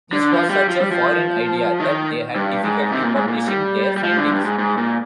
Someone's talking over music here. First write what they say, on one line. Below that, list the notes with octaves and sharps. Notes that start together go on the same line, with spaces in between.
This was such a foreign idea that they had difficulty publishing their findings.
D3
F3
G3
F3
G3
F3
D#3
G2
G#2
C3
A#2
G#2
A#2
G3
G3
F3
D3
G2
G#2
G#2
A#2